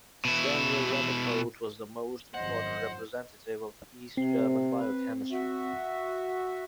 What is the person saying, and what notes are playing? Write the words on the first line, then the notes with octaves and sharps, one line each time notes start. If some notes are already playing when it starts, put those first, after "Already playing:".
Samuel Rapoport was the most important representative of East German biochemistry.
B2 E4
G#1 F#2 F3 C5 D#5 F#5
C3 C4 C7
B4
F#4 E5